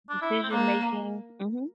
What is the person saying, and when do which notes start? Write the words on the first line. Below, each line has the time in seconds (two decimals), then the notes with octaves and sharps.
Decision making, mhm.
0.10 D4
0.22 E4
0.44 C4
0.51 A#3 D4